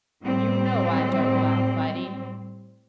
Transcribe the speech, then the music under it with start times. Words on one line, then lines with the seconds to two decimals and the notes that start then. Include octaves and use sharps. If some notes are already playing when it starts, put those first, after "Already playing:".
"You know I don't allow fighting."
0.22 A2 G3 C4